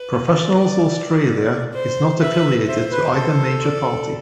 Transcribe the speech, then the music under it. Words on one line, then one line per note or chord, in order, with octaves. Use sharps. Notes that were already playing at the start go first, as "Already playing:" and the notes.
Professionals Australia is not affiliated to either major party.
Already playing: B4
D5
C5
B4 E5
C5 E5
B4
A4
D5